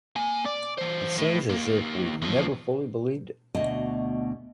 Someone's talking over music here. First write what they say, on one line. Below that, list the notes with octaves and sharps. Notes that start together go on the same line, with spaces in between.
It seems as if we never fully believed it.
A#3 G#5
D5
E3 C5
A2
D#2 A#3
E2 F3
D2 B2 D#5